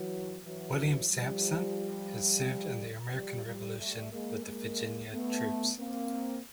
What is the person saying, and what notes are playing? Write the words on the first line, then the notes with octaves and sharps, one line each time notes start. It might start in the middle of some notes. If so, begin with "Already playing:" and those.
William Sampson had served in the American Revolution with the Virginia troops.
Already playing: E3 F#3
E3 F#3
F3 G3
F3 G3
F3 G3
G3 A3
G#3 A#3
G#3 A#3
A3 B3
A#3 C4